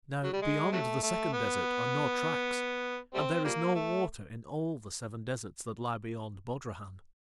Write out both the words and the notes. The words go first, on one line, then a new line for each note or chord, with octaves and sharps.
Now, beyond the second desert are no tracks, and there is no water in all the seven deserts that lie beyond Bodrahan.
F#3
G3
G#3
C3 F#3 A3
A3
B3
G3 A3 C4
F3 G3 A#3
A3